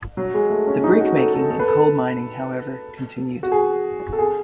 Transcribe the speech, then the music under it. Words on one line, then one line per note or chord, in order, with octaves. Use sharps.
The brick making and coal mining, however, continued.
F#3
G#3
A3
C#4
D#4
F#4
A4
A4
A4
B4
A4
F#4
G#4
A4
G#4